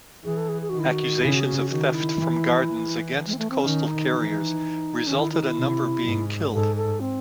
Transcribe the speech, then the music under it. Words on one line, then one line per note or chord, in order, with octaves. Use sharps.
Accusations of theft from gardens against coastal carriers resulted a number being killed.
E3 G#4
A4
G#4
G#4
F#4
D#3
E4
F#4
C#3 E4
F#4
G#4
F#4
F#4
D#3 F#4
E4
E3
E3
G#3
C4
A3
C4
D#3 C#4
D#4
E3
D#3 C#4
E4
E4
D#4
E4
C3
G#2
G#2 A4
A4
C4